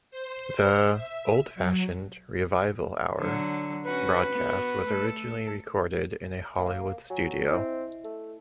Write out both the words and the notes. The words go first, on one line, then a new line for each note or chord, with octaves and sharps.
The "Old Fashioned Revival Hour" broadcast was originally recorded in a Hollywood studio.
C5
E5
F#3
D3 F#3
C#4 F#4 B4
B3 F#4
A3 A4
A#3
F#3 G#5
C4 E4 D#5 E5
A3